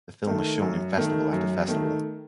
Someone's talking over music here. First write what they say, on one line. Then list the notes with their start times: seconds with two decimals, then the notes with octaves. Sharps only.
The film was shown in festival after festival.
0.27 D#3 A3
0.62 F#2
0.97 D#3 A3
1.33 F#2
1.68 D#3 A3